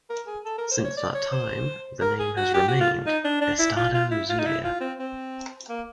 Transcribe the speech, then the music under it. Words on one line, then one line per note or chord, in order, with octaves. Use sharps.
Since that time the name has remained "Estado Zulia".
A#4
G#4
A4
A#4
C5
C#5
D5
C#5
C5
A#4
G#4
F#4
G4
F#4
F4
D#4
D4
D4
E4
F4
F4
E4
F4
D#4
E4
F4
C4
C4
A#3